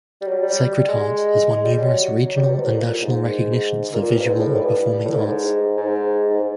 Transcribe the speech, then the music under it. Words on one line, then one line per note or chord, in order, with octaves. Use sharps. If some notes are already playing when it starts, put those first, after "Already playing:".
Sacred Heart has won numerous regional and national recognitions for visual and performing arts.
G3
F#3
G3
G#3
G#3
G3
F#3
G3
F#3
B2
C3
A2
A#2
G#2
A#2
G2
G#2
A2
G2
A2
G#2
G#2
G#2